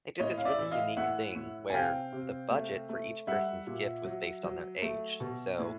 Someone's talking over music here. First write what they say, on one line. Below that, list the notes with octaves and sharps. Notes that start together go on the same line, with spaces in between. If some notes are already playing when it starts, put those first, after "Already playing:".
they did this really unique thing where the budget for each person's gift was based on their age. So,
A2 C#5 D#5
F5
D5 E5
E3 E5
D#5 F5
A2 E5 F#5
A2
G#5
C3 F5 G5
C3
A3
A3
G3 E5 F#5
A#2
F#3
F#3
A3
B2
A2